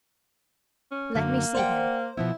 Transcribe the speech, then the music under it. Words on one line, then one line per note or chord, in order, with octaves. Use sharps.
"Let me see him."
C#4
F#2 D3 F#3 A#3
C5 D5 F#5 G5
B2 F3 B3 E4